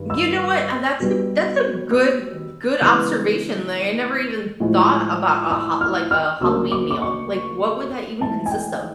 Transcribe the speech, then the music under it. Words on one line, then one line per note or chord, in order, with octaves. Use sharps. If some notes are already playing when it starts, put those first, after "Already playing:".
You know what? A that's a that's a good, good observation. Like, I never even thought about a Ha like, a Halloween meal. Like, what would that even consist of?
Already playing: G2 D#3
E6
B2 G3 B3 D4
E6
C#3 E3 G#3 B3
A2 F3 G#3
E6
F6
F6
D2 C#3 F#3 A#3 D4 E6
D6
D6
C#6
G#2 E3 A3 A5
G#5
G5